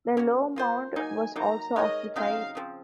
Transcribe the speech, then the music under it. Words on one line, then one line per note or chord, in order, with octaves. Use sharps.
The Low Mound was also occupied.
A#3 C#4 F#4
A#3 F4 C5
F#3 A#3 D#4 G#5
F#3 A#3 D#4 A#5
G#3 D#4 A#4 C#5 D#5
C#3 F#3 C4 D#4 F5
C#3 F3 C4